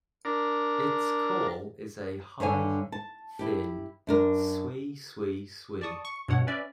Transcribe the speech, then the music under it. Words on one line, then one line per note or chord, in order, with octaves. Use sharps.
Its call is a high, thin "swee swee swee".
D4 A#4
G2 D3 C#5 G#5
A5
E4 G4
F#2 D4 A#4
D5 A5 C#6 D#6
C#6
G2 B2 C#5 F#5
C#4 B4 D5 E5